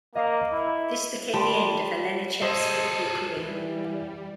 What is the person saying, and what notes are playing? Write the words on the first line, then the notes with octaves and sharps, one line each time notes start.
This became the end of Alenichev's football career.
A#3 D#5 F5
E4
G3 A5 C6
G#4 A4 C5 D#5
E3 G3